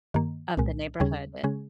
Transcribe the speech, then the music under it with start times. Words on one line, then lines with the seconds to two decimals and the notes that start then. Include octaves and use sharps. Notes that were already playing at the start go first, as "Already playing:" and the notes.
of the neighborhood.
0.14 G2 D#3 A#3
0.57 C2 A#2 G#3
1.00 D#2 C#3 G3 C#4 G#4
1.44 C#3 G#3 C#4 G#4